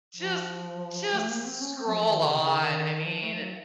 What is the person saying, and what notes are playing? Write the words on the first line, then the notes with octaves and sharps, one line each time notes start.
"Just just scroll on," I mean, i i
F3
A3
A#3
C4
C#4
C4
F#3
F3
D#3
C#3
C3
C#3
D#3
F3
A3
F3
F#3